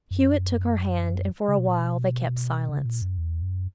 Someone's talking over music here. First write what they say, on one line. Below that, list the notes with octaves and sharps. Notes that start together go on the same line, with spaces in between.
Hewett took her hand, and for a while they kept silence.
F#2
C#3
B2
A#2
B2
C#3
A#2
F#2
E2
F#2